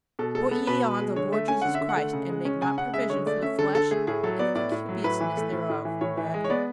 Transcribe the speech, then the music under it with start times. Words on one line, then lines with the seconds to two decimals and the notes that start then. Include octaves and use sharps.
"Put ye on the Lord Jesus Christ, and make not provision for the flesh and the concupiscence thereof," he read.
0.19 B2 A4
0.35 G#3 A4
0.51 B3 A4
0.67 B2 B4
0.84 B2
0.99 G#3
1.16 D3 C#5
1.32 A3 E5
1.48 C#4 G#5
1.62 D3 F#5
1.75 E5
1.81 D3
1.89 F#5
1.96 A3
2.13 C#3
2.30 G#3
2.45 C#4
2.61 C#3 G#5
2.78 C#3 F#5
2.93 G#3 E5
3.10 D3 C#5
3.26 A3 D5
3.42 C#4 E5
3.58 D3 A4
3.75 D3 A4
3.91 A3 G#4
4.07 A2 G#4
4.23 F#3 A4
4.39 B3 D5
4.55 A2 D5
4.72 A2
4.89 F#3
5.04 A2 B4
5.21 E3
5.37 A3
5.52 A2
5.70 A2
5.85 E3
6.01 A2 C#5
6.17 E3
6.34 G#3
6.44 C#5
6.50 B3 D5